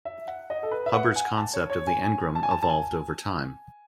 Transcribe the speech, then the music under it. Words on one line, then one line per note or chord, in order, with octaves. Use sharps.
Hubbard's concept of the engram evolved over time.
E5
F#5
D#5
A4
B4
E5
F#5
G#5
A5
C#5
C#5
G#5
G#5
A5
G#5
A5
A5
G#5